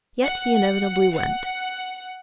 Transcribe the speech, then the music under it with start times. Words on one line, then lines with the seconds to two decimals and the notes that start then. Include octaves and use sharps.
Yet he inevitably went.
0.22 F#5
1.15 F#5